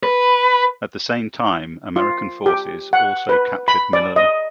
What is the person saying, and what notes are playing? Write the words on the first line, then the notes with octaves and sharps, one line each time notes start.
At the same time, American forces also captured Manila.
B4
F4
G4
F#5
B4
B5
D5
D#5